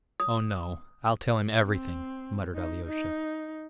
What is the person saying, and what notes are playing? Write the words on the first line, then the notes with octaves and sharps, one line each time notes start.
"Oh, no. I'll tell him everything," muttered Alyosha.
D#6
C4
D#4
D#4